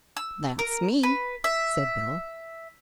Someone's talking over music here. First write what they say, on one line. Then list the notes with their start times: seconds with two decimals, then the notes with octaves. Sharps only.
"That's me!" said Bill.
0.17 E6
0.59 A#4
1.03 B4
1.44 E5